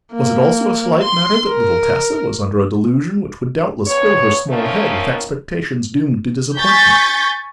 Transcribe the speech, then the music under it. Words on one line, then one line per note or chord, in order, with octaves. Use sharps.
Was it also a slight matter that little Tessa was under a delusion which would doubtless fill her small head with expectations doomed to disappointment?
A#3
C6
A#4
D2 C#3 B3 C#5
A2 D#3 F3 A3 A#3 C#4
G#5 C#6 G6 A6 B6